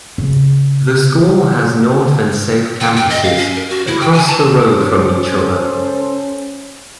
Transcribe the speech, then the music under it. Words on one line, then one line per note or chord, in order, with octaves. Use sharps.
The school has north and south campuses, across the road from each other.
C#3 C#4
G5
G5
D#5
F5
C#4
A#4
F#4
E4
G5
G#5
A5
C#2 C#4 A4 C5